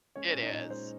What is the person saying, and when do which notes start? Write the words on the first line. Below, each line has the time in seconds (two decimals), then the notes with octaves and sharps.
It is.
0.16 G#3 C#4 C#5
0.29 C#4 C#5
0.34 A#2
0.43 D#4 D#5
0.53 A#2
0.70 G#3 C5